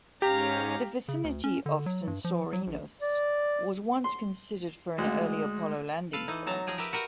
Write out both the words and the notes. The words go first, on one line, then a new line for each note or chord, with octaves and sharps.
The vicinity of Censorinus was once considered for an early Apollo landing site.
G#2 C#4 G4 F5 A#5
C#3
D2
C#4
D3
F#3
G2
F3
F#3
A#1
D5
C6
D2 G#3
A4 B4 F5
E3 D#4
F#3 A5 A#5
F3 G#4 G5 A#5
G4 A#4 B4 E5
F#4 A#4 B4 G5